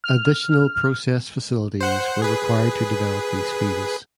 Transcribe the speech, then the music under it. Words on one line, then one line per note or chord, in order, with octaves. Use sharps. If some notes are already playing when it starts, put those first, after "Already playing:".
Additional process facilities were required to develop these fields.
F6
C5 F#5
G#4 B4